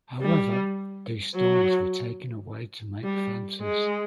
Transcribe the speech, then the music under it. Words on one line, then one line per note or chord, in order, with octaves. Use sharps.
However, these stones were taken away to make fences.
G3
F#3
G3
G#3